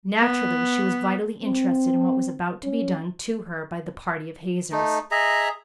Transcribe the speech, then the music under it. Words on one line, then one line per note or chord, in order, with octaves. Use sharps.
Naturally she was vitally interested in what was about to be done to her by the party of hazers.
B3
C4
C#4
A3 D#4
G#4 D#5 E5 A#5